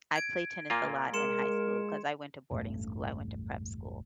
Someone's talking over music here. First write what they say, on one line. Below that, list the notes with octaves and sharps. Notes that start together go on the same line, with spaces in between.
I played tennis a lot in high school 'cause I went to boarding school, I went to prep school,
G#6 D7
A#2 A#3 F4
G#3 A#4 C6 C#7 E7
E1 A1 G2 A3